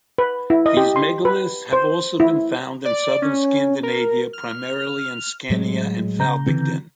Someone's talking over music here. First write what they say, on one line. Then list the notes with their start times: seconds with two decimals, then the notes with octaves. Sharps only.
These megaliths have also been found in southern Scandinavia, primarily in Scania and Falbygden.
0.18 B4
0.50 E4
0.66 D#5
0.77 G4
0.96 C6
1.25 B4
1.73 C5
2.20 E4
2.85 D5
3.22 C#4
3.83 A#4
4.33 F6
5.50 A2 F#3 G#3
6.19 C#3 A#5 G6
6.46 D3 E3 C4